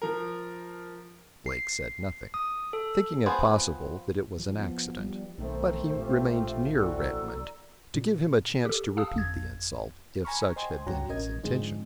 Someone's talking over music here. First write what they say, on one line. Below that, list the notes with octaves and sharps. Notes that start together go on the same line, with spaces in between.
Blake said nothing, thinking it possible that it was an accident; but he remained near Redmond, to give him a chance to repeat the insult, if such had been his intention.
F3 A#4
C7
D#6
A4
F3 B3 C4 G#4 C5
F3
B3
G3
B1 D#3 A3 C4 C5
A#1 C4 F4 G4
E3 C4 F#4 A4 D5 A#5 E6
A#2
G4 A4
F5 A5 D#6 E6
G1 F2 G#6
G#5 A#5 B5 C#6 F6
C5 D#5 G5 G#5 C6
C#2 G2 F#4 C#5 G5 A#5
A1 C#4 A#4 D#5 G#6
G#2 D3 F3 G#3 C4 D#4